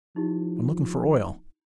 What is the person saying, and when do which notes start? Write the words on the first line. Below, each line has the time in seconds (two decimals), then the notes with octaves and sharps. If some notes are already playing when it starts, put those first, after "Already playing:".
I'm looking for oil.
0.16 F3 D#4 E4 G4